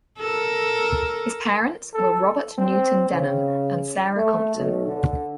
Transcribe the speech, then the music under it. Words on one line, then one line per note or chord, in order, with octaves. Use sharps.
His parents were Robert Newton Denham and Sarah Compton.
A4 A#4
A4
C4
C#3
A3
B1
D3